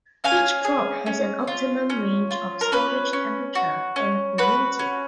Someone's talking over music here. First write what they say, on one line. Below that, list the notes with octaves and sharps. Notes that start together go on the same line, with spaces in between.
Each crop has an optimum range of storage temperature and humidity.
C#4 F5 G#5
G#4
C#4
F4
C#4
F4
A#4
C#4 B4
C#4
F#4
C#4
F#4 B4
C#4